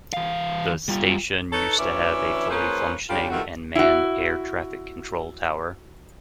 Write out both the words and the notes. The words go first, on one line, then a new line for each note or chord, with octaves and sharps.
The station used to have a fully functioning and manned Air Traffic Control Tower.
E3 F5
G3 F4
D#4 A4 B4 C#5
D2 E3 C#4 D5 E5
F3 A#3 C#4 G#4 B4 C5
C#3 G3 D4 F4 G4 A4
G2 D#3 A3 F4 F#4
E4 F#4